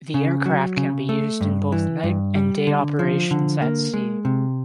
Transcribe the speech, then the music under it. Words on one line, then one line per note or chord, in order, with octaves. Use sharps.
The aircraft can be used in both night and day operations at sea.
C#3
F#3
C#3
A3
G2
E3
G2
G3
D3
F3
D3
A#3
G#3
C3